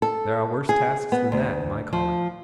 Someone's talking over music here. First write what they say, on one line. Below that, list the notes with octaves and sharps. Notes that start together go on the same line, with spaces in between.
There are worse tasks than that, in my calling.'
A4
G#4
B3
D2
F3